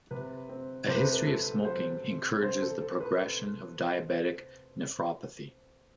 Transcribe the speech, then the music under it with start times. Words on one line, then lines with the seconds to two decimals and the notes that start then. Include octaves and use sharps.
A history of smoking encourages the progression of diabetic nephropathy.
0.11 C3 B4
0.49 C4
0.88 C3 C5
0.95 B4
1.04 A4
1.12 B4
1.27 C4 A4
1.64 F#3 C5
2.04 C3
2.42 C3 C5
2.62 A4
2.81 C4 A4
3.00 B4